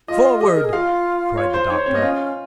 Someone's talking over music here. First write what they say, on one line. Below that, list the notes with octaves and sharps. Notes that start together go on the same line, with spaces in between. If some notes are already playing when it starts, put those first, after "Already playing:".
"Forward!" cried the doctor.
F4 D#5
G4 D#5
G#4
A#4
G#4
F4 F5
C#5
C5
D#4 C#5
C5
C4 C#5
A#3 D#5
C#4 F4